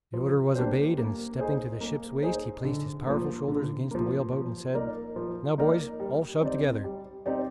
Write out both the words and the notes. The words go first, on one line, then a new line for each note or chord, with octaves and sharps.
The order was obeyed, and stepping to the ship's waist, he placed his powerful shoulders against the whale-boat, and said: "Now, boys, all shove together!"
F3
A#3 D4 G4 C5
A#3
D#4 G#4 C5
A#3
D#4 G#4 C5
D3
F3 A#3
D3
F3 A#3
F3
A#3 D#4 A#4 D5
F3
A#3 D#4 A#4 D5
G3
C4 D#4 G4 D5
G3
C4 D#4 G4 D5